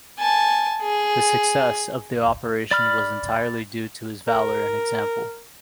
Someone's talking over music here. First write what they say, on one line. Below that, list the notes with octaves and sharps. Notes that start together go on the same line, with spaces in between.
The success of the operation was entirely due to his valour and example.
G#5 A5
G#4
D5 B5 F6
A#4